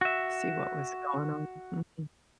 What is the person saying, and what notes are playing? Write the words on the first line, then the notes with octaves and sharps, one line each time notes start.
See what was going on. Mhm.
F#4 E5